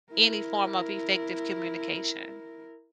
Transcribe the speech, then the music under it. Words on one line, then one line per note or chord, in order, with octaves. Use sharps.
any form of effective communication.
E4 A#4